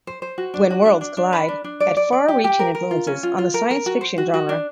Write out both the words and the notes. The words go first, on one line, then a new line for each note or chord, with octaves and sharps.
"When Worlds Collide" had far-reaching influences on the science fiction genre.
C5
C5
F#4
D4
F#4
D4
D4
D4
B4
D4
D4
D5
D5
D5
G4
G4
A#4
A#4
F4
C#4
F4
F4
A#4
A#4
F#4
C5
F#4
F#4
D4